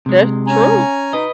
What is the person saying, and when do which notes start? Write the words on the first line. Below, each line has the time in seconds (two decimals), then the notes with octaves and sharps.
That's true.
0.06 C3 G#3
0.47 C#4 G#5 A#5
1.13 D#4 B4 D#5